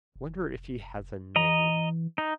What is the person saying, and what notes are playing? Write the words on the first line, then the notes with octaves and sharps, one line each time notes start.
Wonder if he has a name.
F1
E3 D#5 A#5
D#4